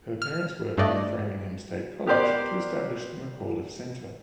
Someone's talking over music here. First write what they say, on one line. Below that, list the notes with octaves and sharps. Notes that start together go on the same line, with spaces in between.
Her parents worked with Framingham State College to establish the McAuliffe Center.
F6
G2 A3 D5 D#5
B3 G4 A#4 C5 D5